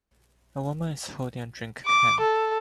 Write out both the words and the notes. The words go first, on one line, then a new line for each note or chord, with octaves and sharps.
A woman is holding a drink can.
D6
A4